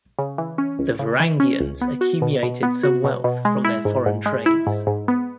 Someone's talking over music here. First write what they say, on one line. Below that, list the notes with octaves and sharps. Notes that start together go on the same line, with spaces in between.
The Varangians accumulated some wealth from their foreign trades.
C#3
E3
C#4
C#2
C#3
E3
C#4
C#2
B3
F#4
B2
B2
B3
F#4
B2
B2
G#3
E4
G#2
G#2
G#3
E4
G#2
G#2
B3